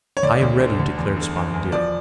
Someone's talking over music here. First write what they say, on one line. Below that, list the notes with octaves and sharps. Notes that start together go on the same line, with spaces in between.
"I am ready," declared Spotted Deer.
C#5
D2 D5
D2
D3
D2
E2
D3
E2
E2
F3 D5